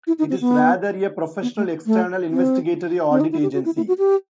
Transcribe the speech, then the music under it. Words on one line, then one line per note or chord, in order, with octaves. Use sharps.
It is rather a professional external investigatory audit agency.
E4
D#4
C4
B3
B3
A3
A3
C4
C4
D#4
E4
G4
F#4
E4
E4
F#4
G4